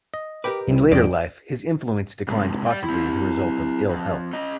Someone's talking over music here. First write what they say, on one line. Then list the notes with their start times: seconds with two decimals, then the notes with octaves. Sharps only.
In later life, his influence declined possibly as a result of ill health.
0.14 D#5
0.44 G4 A#4 B4 G5 D6
0.68 C2 G3 E4
0.92 F2 D5 G5
2.28 C3 G#3
2.66 D5 G5
2.84 C4 E4
3.90 F2
4.33 C#4 D#5